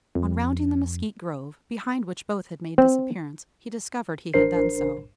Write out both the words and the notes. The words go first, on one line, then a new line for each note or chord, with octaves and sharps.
On rounding the mezquite grove, behind which both had made disappearance, he discovered he had done so.
F2
C4
A1 D4 A#4 C5 C7